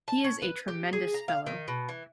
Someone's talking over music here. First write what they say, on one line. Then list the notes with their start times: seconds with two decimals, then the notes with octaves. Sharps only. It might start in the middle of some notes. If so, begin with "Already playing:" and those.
He is a tremendous fellow.
0.08 A5
0.24 C#4
0.42 B4
0.68 G4
0.93 G#4
1.14 A#5
1.28 F5
1.46 D#3
1.68 B2
1.89 E3